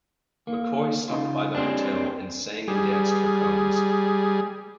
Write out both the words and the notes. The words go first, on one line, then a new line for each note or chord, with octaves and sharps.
McCoy stopped by the hotel and sang and danced for Combs.
A#3
C#3 D#4 F4
C4 D4 G4 G#4
G3 G#4